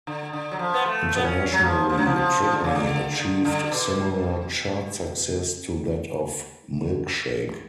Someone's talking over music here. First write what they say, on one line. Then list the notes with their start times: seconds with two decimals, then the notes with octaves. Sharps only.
Internationally, "Trick Me" achieved similar chart success to that of "Milkshake".
0.07 D3
0.33 D3
0.51 F#3
0.59 F3
0.74 B3
0.86 A3
1.16 B3
1.24 C#4
1.52 F#3
1.64 F3
1.90 F3
1.98 F#3
2.06 F3
2.16 F3
2.42 F3
2.53 D3
2.64 C#3
2.75 D3
3.20 D3
3.45 D3
3.72 B2